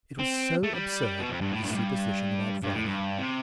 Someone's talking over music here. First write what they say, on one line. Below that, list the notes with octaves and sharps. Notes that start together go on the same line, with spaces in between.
It was so absurd, this superstition about Friday.
C4
A3
G3
B2
F2
G2
A2
G2
A2
G2
G2
A2
G2
C3